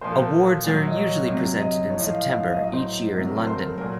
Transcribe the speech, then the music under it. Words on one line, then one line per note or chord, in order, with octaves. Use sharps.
Awards are usually presented in September each year in London.
A#2 F3 C5
A4
A#4
A#2 F#3
D#5
C#5
C3 F#3
D#5
A2 C#5
F3
D#5
F5
F5
F#5
F5
A2 F#3 D#5
D#5
C5
C3 F#3 A#4
A#4
A4
A#4
C5
A#4
A4
A#2 F#3 A#4